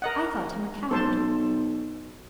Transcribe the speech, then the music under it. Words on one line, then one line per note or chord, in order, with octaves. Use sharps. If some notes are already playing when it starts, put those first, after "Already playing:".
I thought him a coward.
A#4 D#5 F#5
B1 A4 C5 A5